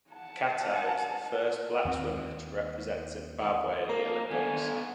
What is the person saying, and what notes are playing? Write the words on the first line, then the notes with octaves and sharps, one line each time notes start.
Katai was the first black swimmer to represent Zimbabwe at the Olympics.
F#5 A5
D#2 C4
A#3 A#4 A5
D3 D#3 B3 A4 F5 G#5